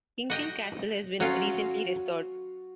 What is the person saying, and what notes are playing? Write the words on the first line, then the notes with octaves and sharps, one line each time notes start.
Kinkell Castle has been recently restored.
F#4 D#5 G5
F#3 C#4 F4 F#4